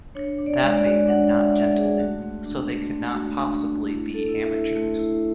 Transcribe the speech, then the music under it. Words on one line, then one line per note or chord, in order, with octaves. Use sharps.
That made them not gentlemen so they could not possibly be amateurs.
D4 C#5
D4
D5
G#3
D5
F#4
D4 F#5
F#4 E5
D4 D5
D4 G#4
A3 F#4
A3
D4
A3
A3
F#4
D4
A3
E4
A3
A4
E4
E5
E4
A3
E4